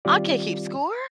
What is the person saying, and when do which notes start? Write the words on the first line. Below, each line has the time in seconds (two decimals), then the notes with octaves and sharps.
I can't keep score.
0.05 D#3 G3 C4 F4 G4 D5